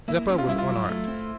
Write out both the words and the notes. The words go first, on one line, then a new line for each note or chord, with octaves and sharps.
Zeppa was unarmed.
A#3 E4
C#4
F4
G3 E4
F4
F#3
A3
C4